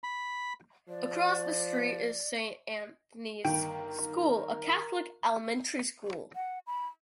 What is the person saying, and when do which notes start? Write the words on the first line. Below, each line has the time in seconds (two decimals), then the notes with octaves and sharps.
Across the street is Saint Anthony's School, a Catholic elementary school.
0.04 B5
0.89 F3 D5
3.45 G1 D#3 A#4 G5 D7
6.35 F#5
6.67 B5